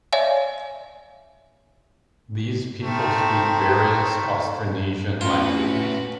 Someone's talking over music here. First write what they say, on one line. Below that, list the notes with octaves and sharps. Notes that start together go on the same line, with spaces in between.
These people speak various Austronesian languages.
C#5 D5 E5 F5 G#5
D#3 A3 C4
A2 C#4 F4 F#4 B4